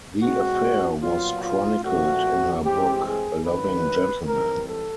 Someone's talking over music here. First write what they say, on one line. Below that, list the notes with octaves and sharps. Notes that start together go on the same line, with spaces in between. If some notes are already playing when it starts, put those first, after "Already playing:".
The affair was chronicled in her book "A Loving Gentleman".
B2 G#3 C4 F#4
A#2 F#3 B3 F4
F4
A#2 F3 A3 C4 F#4
G2 E3 G#3 C4 G4
G#4
G2 D#3 F#3 B4
G#2 E3 G3 C4 A#4
A4